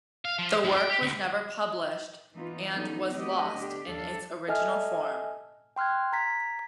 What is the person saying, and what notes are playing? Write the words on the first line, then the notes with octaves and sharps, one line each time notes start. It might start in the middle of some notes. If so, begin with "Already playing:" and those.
The work was never published and was lost in its original form.
F5
F3
D2 F3
G5
G4
D2
E3 A#3 B3 D#4 F4
D3 F#3 B3 C#4 D#4
F#3 A3 B3 C4 G4 D#5
D3 D4 G4
D#2 F3 D4 A4 F5
A4 D#5 E5 G#5 A5 F6
G5 C6 F6 F#6 G#6
A#5 G#6 A6 B6